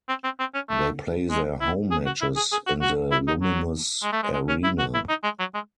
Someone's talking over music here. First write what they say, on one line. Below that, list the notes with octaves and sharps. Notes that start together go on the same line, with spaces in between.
They play their home matches in the Luminus Arena.
C4
C4
C4
C#4
A3
G#3
E4
G#4
F#4
E4
G#4
G#4
F#4
F#4
E4
D#4
F#3
G#3
A3
G#3
G#3
C#4
E4
F#4
E4
D#4
G#3
F#3
G#3